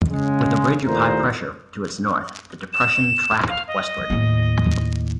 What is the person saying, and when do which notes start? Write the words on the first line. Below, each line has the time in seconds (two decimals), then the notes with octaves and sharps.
With a ridge of high pressure to its north, the depression tracked westward.
0.10 C#3 G#3
0.85 D#2 A#2 A3 E4 C5 A#5
2.73 E7
3.49 F5
3.68 D#5
4.10 D#2 A2